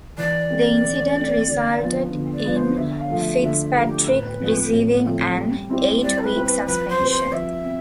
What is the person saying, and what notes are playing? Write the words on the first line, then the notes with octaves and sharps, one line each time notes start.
The incident resulted in Fitzpatrick receiving an eight-week suspension.
E3 D5
A3 C4
E3
A3 C4
D3
F3 B3
D3
D5
F3 B3
C5
D3 E5
F5
F3 A3
E5
D3 E5
F3 A3
G4
A2 B4
F3 A3 C4
A2
F3 A3 C4
G3
C4 E4 G4 C5
G3 D5
A4
B4
C4 E4 G4 C5
B4
F3 B4
C5
C4 G4 B4
C5
F3 E5
C4